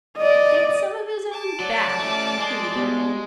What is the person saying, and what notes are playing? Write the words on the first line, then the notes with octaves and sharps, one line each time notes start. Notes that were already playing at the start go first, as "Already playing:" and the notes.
'Get some of his own back!' he repeated.
D5 D#5
A5 D6
F#3 D5
A3 C#4
G#3
B2 G3